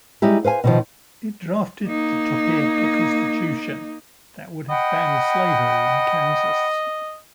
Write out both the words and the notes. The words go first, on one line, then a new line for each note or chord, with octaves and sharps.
It drafted the Topeka Constitution that would have banned slavery in Kansas.
G3 G#3 D#4 E4 G4
B4 C5 F5 G#5
B2 D#3 F3
A#3 D#4
D#5 F#5 G5 B5